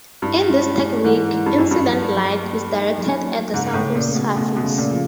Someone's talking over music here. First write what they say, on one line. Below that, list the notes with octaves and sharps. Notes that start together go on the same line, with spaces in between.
In this technique, incident light is directed at the sample's surface.
G2 E4
G#3
G#3
G#2 E3
E3
G2
F#2 G#3
G2
F#3
F#3
A#3
D#4
F#3
A#3
G#2 C#3
A2
C#3
A#2
A3
B2
B2 A3
B2
C#3
A#2
F3